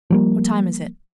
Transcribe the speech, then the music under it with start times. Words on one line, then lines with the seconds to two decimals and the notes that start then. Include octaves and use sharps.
"What time is it?"
0.10 F3 G3 A#3